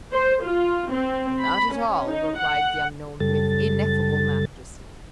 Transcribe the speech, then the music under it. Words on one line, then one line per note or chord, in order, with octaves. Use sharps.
"Not at all!" replied the unknown, with ineffable majesty.
C5
F4
C4
B5
C#4
D#4
F#5
F#2 C#3 G3 A4 A6